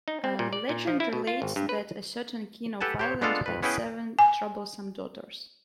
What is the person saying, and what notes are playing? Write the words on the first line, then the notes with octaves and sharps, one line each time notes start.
Legend relates that a certain king of Ireland had seven troublesome daughters.
D#4
C4
A#2
D5
A#2
F3
E4
B2
F4
G#1
G2
B4
G4 A4 B4 F#5 G#5 A5
G4 C5 C#5
G#3 B3 D4 F4 A4 F5
F2 B4
B3 C#4 E4 G#4 B4 G5
G#5